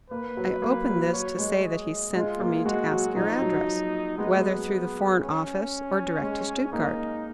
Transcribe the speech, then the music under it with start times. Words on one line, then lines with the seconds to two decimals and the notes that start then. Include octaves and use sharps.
I open this to say that he sent for me to ask your address,--whether through the Foreign Office, or direct to Stuttgard.
0.11 A#3 B4
0.37 F#3
0.62 A#3
0.88 F#3
1.13 F#3 C#5
1.38 G#3
1.64 D#5
2.15 G#3 F4
2.40 A#3
2.65 G#3 F#4
2.91 F#3
3.16 F3 D#4
3.42 F#3
4.18 G#3 B3
4.27 F#3
4.36 G#3
5.20 C#4
6.22 G#3
6.72 A#3 D#4